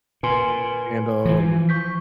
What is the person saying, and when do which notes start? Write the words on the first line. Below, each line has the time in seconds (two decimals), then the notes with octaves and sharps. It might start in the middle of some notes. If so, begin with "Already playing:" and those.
and, um,
0.23 A#2 B4 G#5 C6
1.25 E3 F3
1.69 C#6 G6 B6